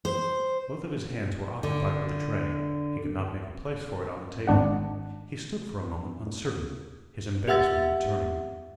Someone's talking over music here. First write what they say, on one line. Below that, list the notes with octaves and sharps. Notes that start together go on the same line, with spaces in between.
Both of his hands were occupied with the tray; he could not make a place for it on the table. He stood for a moment uncertain, his embarrassment returning.
C5
D3
G#1 D4 F#5
G4 E5 F#5 E6 A6